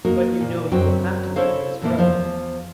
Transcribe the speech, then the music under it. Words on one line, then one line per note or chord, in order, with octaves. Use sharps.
"But you know you will have to leave Miss Rose."
A#3 D#4 F#4 A#4
A#2
F#2 F#3 C4 D#4 F#4 G5
E4 A4 C5 C#5 D#5 F5
A#2 E3 A3 A#3 D#4 E4
E2 F3 C5 F5